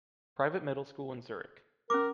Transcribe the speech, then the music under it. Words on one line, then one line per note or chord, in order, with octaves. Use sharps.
Private middle school in Zurich.
C#4 A#4 D6